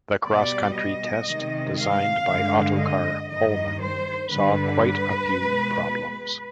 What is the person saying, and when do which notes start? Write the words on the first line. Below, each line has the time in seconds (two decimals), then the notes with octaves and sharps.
The cross-country test, designed by Ottokar Pohlmann, saw quite a few problems.
0.24 B2 G3 D5
0.76 D#5
1.26 C3 D#3 G#3
1.77 F5
2.28 G2 D3 G#3
2.78 D#5
3.29 G2 D#3 G3 D#5
3.80 C5
4.31 G2 D3 G3 B4
5.32 B2 G#3